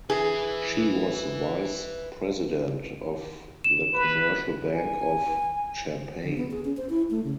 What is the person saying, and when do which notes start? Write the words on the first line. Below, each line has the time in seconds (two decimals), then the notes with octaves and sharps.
She was vice president of the Commercial Bank of Champaign.
0.10 G#4 B4 E5
3.64 E7
3.94 B4
4.74 G#5
6.23 D3
6.37 B3
6.51 G#4
6.65 C#4
6.77 C5
6.90 E4
7.11 A3
7.24 C#3